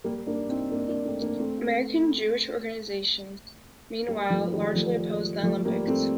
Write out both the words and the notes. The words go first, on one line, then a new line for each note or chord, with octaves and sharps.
American Jewish organizations, meanwhile, largely opposed the Olympics.
G3 A#3
A#3 D4
C4 D#4
A#3 D4
A#3 D4
A3 C4
A#3 D4
A3 C4
G3 A#3
F3 A3
D#3 G3
F3 A3
F3 A3
G3 A#3
A3 C4